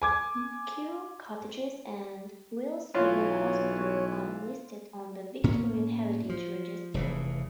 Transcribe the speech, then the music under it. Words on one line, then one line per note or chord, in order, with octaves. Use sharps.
Kew Cottages and Willsmere Hospital are listed on the Victorian Heritage Register.
G#5 D6 G#6
B1 E3 F4 C#5
A2 A#3 C#4
F3
F1 C#3 E3